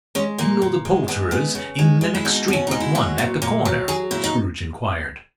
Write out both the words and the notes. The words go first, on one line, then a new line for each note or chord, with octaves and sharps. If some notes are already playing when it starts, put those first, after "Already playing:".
"Do you know the Poulterer's, in the next street but one, at the corner?" Scrooge inquired.
G#3 C#4
A#2 A#3
A#2
G#3
G#3 B3
C#3 B3
C#3
G#3
G#3
E4
B2 D#4
B2 C#4
G#3 D#4
E4
F#3 F#4
A#2
A#2
F#3
F#3 G#4
A#2 E4
D#4